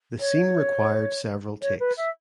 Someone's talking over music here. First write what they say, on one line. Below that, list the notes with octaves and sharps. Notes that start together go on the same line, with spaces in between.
The scene required several takes.
C#5
C#5
B4
E5